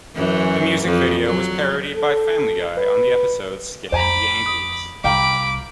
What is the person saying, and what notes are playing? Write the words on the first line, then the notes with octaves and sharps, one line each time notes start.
The music video was parodied by Family Guy on the episode "Scammed Yankees".
F#2 E3
F2
F#3
A4
B4
F2 C5 G#5 A#5 B5 D6
D#6
C2 F5 G5 A#5 B5 D6